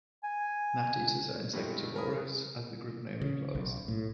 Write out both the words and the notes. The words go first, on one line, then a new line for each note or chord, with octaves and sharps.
Gnateaters are insectivorous as the group name implies.
G#5
G2 B2 G3 G#3 C4 E4
A#4 G#5 B5 D#6
C#3
B1
A2